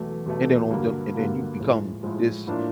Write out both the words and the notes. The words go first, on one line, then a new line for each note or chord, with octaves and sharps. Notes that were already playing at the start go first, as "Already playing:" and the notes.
And then on them and then you become this,
Already playing: E2 B2 F#3 A3
E2 B2 F#3 A3
G2 D3 F#3 A#3
G2 D3 F#3 A#3
A2 F3 G#3
A2 F3 G#3
A2 F3 A#3 D4 F4